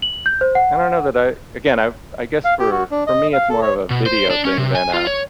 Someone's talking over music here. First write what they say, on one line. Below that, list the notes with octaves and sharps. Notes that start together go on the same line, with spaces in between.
I don't know that I Again, I I guess for for me, it's more of a video thing than, uh,
F#7
G6
C5
F#5
F5
G4
F#4
D4
D#5
F5
A4
C#5
B2
C5
D4
C#4
C3
G#5
F4
C#5